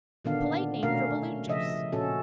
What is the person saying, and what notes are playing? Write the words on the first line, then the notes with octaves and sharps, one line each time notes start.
A polite name for balloon juice.
A#2 D3 D#3 B3 D4 F5
B2 A3 C#4 D4 A#4 F5
C#3 F3 D#5 E5
A#2 C#4 F#4 A4